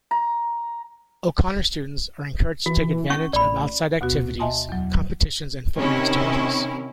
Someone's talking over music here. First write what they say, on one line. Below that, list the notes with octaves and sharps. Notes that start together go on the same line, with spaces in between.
O'Connor students are encouraged to take advantage of outside activities, competitions and foreign exchanges.
A#5
E3 F#4
C#4 C#6
A1 D5 B5
D2 B2 B3 F#4
D#5 E5 G#5 A5 C6 D#6
E2 F#3
C3 D#3 C#4 E4